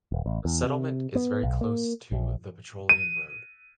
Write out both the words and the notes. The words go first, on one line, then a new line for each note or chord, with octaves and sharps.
The settlement is very close to the Petroleum Road.
D#1
A1
E2
C3
B3
B1
A#3
A#1
D#7